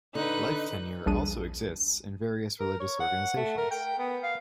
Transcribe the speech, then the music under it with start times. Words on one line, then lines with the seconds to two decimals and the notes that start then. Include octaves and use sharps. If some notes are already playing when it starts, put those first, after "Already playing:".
Life tenure also exists in various religious organizations.
0.15 D3 D#4 B4 F#6
1.06 A#1 D#2 G3 D4 G#4 D#7
2.60 A#4
2.80 C#5
3.00 F#5
3.36 A3
3.57 A#4
3.71 G5
3.99 B3
4.23 F5